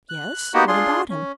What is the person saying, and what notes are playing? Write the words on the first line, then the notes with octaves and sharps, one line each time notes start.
"Yes, what about him?"
F#6
A#3 B3 D#4 F#4 G4
D4 F4 G#4 C6
C#4